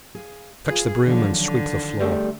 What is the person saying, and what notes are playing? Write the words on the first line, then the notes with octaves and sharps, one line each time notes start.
Fetch the broom and sweep the floor.'
G#4 F5
F4 G#4 B4
D3 D#3 F3 F#3
D3
G3 A3 C#4